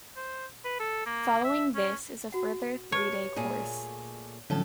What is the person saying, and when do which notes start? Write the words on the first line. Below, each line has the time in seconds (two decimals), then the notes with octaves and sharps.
Following this is a further three day course.
0.16 C5
0.64 B4
0.79 A4
1.06 A#3
1.44 E5
1.75 C#4
2.32 F#4 F#5
2.92 G4 B4 C#5 A5
3.36 A#2 A3 G#4
4.50 A2 D3 F3 F#3 C#4 D#4 A4 F5